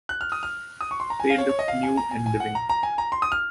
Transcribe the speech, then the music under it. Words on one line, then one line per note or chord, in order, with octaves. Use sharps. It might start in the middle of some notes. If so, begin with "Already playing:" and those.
They looked new and living.
F#6
F6
D#6
F6
D#6
C#6
C6
A#5
G#5
F5
C#5
C#5
D#5
F5
G#5
A#5
G#5
G#5
F#5
A#5
A#5
G#5
A#5
C6
D#6
F6